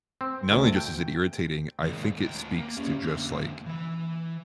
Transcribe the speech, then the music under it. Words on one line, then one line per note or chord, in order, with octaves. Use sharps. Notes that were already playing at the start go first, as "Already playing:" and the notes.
not only just is it irritating, I think it speaks to just like
C4
D2
G5
D#2 G#3
D2 G5
A#3
G3 C#4
D3 A#3
E3 B5